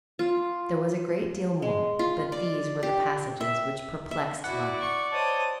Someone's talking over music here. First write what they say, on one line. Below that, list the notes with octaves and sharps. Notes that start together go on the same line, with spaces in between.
There was a great deal more, but these were the passages which perplexed Larkin.
F4
G#3
F4
D5
G4
E5
E5
E4 F#4 D5 F#5
C#6
C5 C#5 D#5 A5 D#6